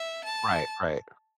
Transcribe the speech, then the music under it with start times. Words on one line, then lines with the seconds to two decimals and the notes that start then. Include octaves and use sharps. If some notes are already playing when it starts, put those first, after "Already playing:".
Right, right.
Already playing: E5
0.25 A5